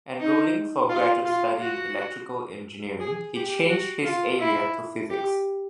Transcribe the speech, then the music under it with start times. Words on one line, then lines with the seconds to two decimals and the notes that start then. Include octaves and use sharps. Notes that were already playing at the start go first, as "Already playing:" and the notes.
Enrolling for graduate study in electrical engineering, he changed his area to physics.
0.20 D#4
0.89 F4
1.25 F4
1.60 F#4
3.00 G#4
3.35 G4
3.69 F#4
4.05 F4
4.39 E4
5.10 G4